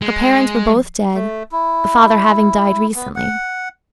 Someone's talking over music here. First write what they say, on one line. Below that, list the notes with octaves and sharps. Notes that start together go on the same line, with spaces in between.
Her parents were both dead, the father having died recently.
G#3
A3
E4
B3
F#5